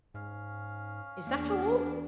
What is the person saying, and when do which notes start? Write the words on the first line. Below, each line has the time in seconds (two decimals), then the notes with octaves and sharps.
'Is that all!
0.14 G#2 C#4 F5
1.27 E2 A#3 D4